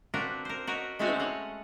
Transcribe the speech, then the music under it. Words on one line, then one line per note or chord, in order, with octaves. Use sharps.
you know
C4 D4 F4 F#4 A#4 B4
A#4 C5
F#4 A#4 B4 C#5 D#5
G#3 A3 C4 C#4 F#4 C#5
C#5 D#5 F5 F#5